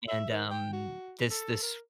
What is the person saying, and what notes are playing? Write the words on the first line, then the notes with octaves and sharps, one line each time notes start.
and, um, this this
E5
D#3
G5
F#4
A4
A#4